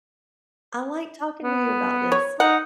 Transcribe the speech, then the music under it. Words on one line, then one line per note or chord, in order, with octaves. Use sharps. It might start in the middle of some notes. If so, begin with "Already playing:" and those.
I like talking to you about this.
B3
C#5
D#4 F#5